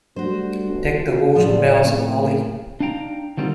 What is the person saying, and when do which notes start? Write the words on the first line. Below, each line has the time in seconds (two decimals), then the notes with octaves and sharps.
Deck the halls with boughs of holly.
0.16 G3 A3 D4 F#4 C5
0.68 G1
1.02 F4 F#4
1.36 F#1 A2 F3 D5
1.80 A3 A#3 C4
2.80 D4 D#4 F5 G5 A#5
3.37 D3 D#3 G3 C4 F4